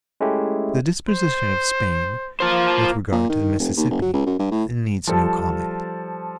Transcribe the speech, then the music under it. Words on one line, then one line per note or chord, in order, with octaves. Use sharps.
The disposition of Spain with regard to the Mississippi needs no comment.
G#3 A3 C#4 E4 G4
C5
A#3 F4 C5
A#2
D#3
F1
D#2
F#1
F#3
C#2
F#2
G2
A2
F3 G3 A4